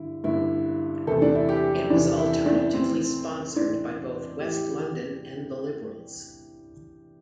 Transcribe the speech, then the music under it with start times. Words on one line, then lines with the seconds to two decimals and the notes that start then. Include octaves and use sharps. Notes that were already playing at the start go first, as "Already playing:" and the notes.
It was alternatively sponsored by both West London and the Liberals.
Already playing: G2 D3 E4
0.24 G2 D3 E4
1.07 E2 C3 E3 A4
1.22 D4
1.35 E4
1.49 G4
1.90 E2 C3 E3 D4
2.18 E4
2.46 D4
2.73 A2 E3 C4
3.56 A2 E3 D4
4.40 A2 E3 G4